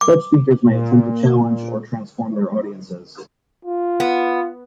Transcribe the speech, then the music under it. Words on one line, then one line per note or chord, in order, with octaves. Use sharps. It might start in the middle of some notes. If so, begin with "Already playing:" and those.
Such speakers may attempt to challenge or transform their audiences.
D6
A#2
F4
B3